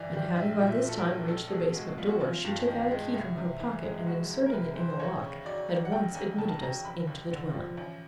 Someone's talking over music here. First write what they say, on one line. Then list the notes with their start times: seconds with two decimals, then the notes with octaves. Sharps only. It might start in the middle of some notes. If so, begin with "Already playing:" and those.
And having by this time reached the basement door, she took out a key from her pocket and inserting it in the lock, at once admitted us into the dwelling.
Already playing: G1 G2 E3 D5
0.13 G3
0.36 A#1 E5
0.59 A#2
0.67 E5
0.83 F#3
0.89 A4
0.98 A#4
1.05 A#1
1.28 C#2 A4
1.48 A4
1.52 B2 G#4
1.75 G#3 F#4
1.98 B3 F4
2.09 F#4
2.20 A1 F4
2.45 G2
2.68 D#3
2.91 G#3
3.14 C2
3.37 C3
3.60 E3
3.84 G#3
4.06 F1 F#4
4.30 E2
4.46 A#4
4.52 C3 B4
4.75 E3 C5
4.90 C5
4.99 D#2 C#5
5.22 C#3
5.45 F#3 D5
5.68 D#2
5.85 F#5
5.92 E1 G5
6.14 D#2 G#5
6.38 C#3 A5
6.49 A5
6.61 F#3 A#5
6.85 F1 B5
7.07 D#2
7.31 D3
7.54 F3
7.77 A1